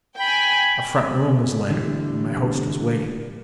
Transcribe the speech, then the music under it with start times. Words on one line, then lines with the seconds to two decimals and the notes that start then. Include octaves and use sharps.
A front room was lighted; my host was waiting.
0.20 G5 G#5 B5
1.71 D3 E3 G3 A3